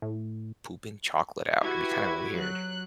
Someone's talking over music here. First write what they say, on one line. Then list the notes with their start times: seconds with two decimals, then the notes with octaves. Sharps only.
pooping chocolate out? It'd be kinda weird.
0.02 A2
1.62 E4 F#4 G4 B4 G#6
2.37 F#3 F#6